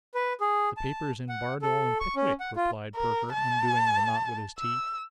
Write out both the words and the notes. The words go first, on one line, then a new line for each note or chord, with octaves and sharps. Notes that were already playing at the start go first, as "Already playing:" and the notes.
'The papers in Bardell and Pickwick,' replied Perker, undoing the knot with his teeth.
B4
G#4
A5
F#5
A4
C#6
C#4
F#5
F4
A#4
A5
E6